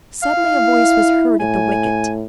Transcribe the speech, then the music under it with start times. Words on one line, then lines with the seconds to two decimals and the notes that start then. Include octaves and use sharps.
Suddenly a voice was heard at the wicket.
0.23 F5
0.53 E4
1.40 A2 G#5